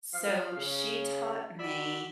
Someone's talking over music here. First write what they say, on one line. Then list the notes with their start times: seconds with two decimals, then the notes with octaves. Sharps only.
so she taught me
0.13 F3 F5
0.56 C#3
1.59 F#4 D5 E5 B5